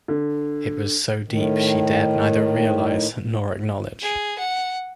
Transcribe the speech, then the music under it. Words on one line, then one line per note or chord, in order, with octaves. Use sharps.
It was so deep she dared neither realise nor acknowledge.
D3
A2 D#3
G#4
F#5